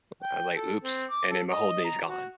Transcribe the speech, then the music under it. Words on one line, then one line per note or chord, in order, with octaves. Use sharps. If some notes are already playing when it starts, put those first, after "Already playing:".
like I was like, "Oops." And then my whole day's gone.
G5
A4
C4
D6
A4
D#5
A#5
F#4